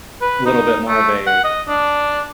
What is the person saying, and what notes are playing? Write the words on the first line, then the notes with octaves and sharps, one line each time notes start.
little bit more of a,
B4
D#4
A3
F#5
D#5
D4